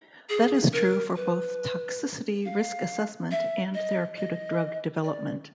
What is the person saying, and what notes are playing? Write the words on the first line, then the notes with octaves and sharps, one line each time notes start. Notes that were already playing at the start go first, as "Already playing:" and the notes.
That is true for both toxicity risk assessment and therapeutic drug development.
G#4
A#4
B4
F5
E5
D#5
D#5
D5